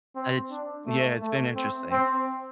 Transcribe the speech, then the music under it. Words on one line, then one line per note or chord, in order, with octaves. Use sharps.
it's yeah, it's been interesting.
C4
D4
A3
A3
C4
C4